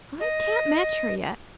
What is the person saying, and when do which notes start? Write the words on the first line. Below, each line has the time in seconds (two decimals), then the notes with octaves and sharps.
I can't match her yet.
0.20 D#5